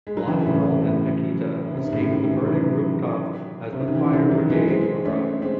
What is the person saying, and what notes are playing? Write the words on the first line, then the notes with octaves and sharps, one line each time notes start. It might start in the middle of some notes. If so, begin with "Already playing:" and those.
Lionel and Paquita escape the burning rooftop as the fire brigade arrives.
G#3
F#3
C#3 E3
A2 C#3
C3
A2
C#3
C3
D#3
A2 C#3
C3 D#3
C#3 E3
D#3 F#3
C3
C#3
D#3
C#3 E3
C3 D#3
D#3 F#3
E3 G#3
G#3 C4
A3 C#4
G#3 C4